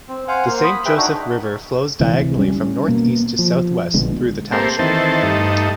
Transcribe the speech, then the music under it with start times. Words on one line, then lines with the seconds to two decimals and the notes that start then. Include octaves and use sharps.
The Saint Joseph River flows diagonally from northeast to southwest through the township.
0.08 C4
0.28 C5 F5 F#5 G#5
0.46 A#3 C5
0.64 B5 D#6
0.85 G#4 B4 E5 G5
0.97 D4 D#4 F#4
2.00 D2 C3 E3 G#3
2.37 G3 C#4
2.88 B2 A#3
3.39 F3
3.94 A#1 B2 D3 G#3
4.52 A3 A#3 C4 G4
4.79 D#3 E3 C4 A4
5.23 G2 A3 D#4